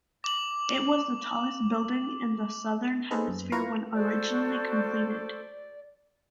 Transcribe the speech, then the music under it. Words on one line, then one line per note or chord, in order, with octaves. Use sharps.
It was the tallest building in the southern hemisphere when originally completed.
D6 F#7
D#4 G#4 A4 B4 C5
F#2
E4 F4 B4 F5 A#5 C#6
F#4 A4 C5 D5